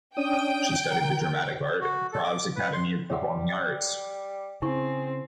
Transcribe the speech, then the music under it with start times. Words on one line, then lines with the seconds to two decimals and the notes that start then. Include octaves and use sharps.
She studied the dramatic art at the Prague's Academy of Performing Arts.
0.17 C#4 D4 G5 D#6
0.91 A#4
1.81 F#4
2.12 A4
2.24 D6
2.56 B4
2.73 C6
3.10 G3 C#5 E5 F#5
4.62 C#3 C4 E4 G#4 C#6